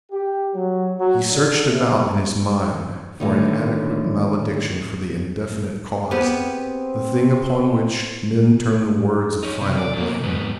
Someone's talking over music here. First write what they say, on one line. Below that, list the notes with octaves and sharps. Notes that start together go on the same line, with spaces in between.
He searched about in his mind for an adequate malediction for the indefinite cause, the thing upon which men turn the words of final blame.
G4
F#3
F#3
D3
C3
A2 D3 D#3
B3 C4 G4 G#4 C5
D#4 C#5
C3
D5
B2 A#3
G#2 B3